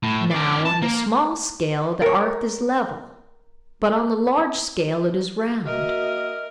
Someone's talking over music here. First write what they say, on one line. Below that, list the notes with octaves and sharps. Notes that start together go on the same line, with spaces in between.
Now, on the small scale, the 'arth is level; but on the large scale it is round.
A2
C#4 D5
A5
A#3
A#4 C#5
A#3 F#4 A#4 D#5 E5 F6